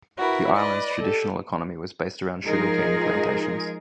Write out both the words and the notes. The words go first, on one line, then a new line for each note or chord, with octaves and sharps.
The island's traditional economy was based around sugarcane plantations.
E4 F#4 A#4 B4
B4 D5 D#5
G4 A4
F3 G#3 D#4 F4 G#4 A#4